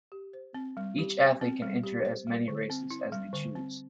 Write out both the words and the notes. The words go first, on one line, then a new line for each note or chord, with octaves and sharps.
Each athlete can enter as many races as they choose.
G4
C5
C4
G3
G4
C5
C4
G3
G4
C5
G3
D3
C4
E4
G3
D3
C4